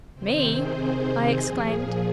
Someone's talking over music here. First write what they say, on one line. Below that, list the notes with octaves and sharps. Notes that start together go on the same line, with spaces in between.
"Me!" I exclaimed.
C3 D#3 C4 C5
G#4
G#4
G#4
A#2 F3 G#4